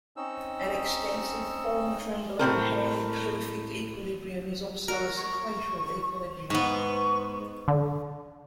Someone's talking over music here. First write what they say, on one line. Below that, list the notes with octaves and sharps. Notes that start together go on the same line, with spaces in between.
An extensive-form trembling hand perfect equilibrium is also a sequential equilibrium.
C4 C#4 D#4 E6
A2 E3 C4 A#4
F#4 A#4
C#6
G#2 B3 C#6
D3